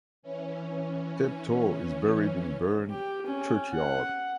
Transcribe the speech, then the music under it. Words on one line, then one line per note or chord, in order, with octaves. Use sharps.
Steptoe is buried in Bourn churchyard.
E3 C#4
G4
C#4
F#5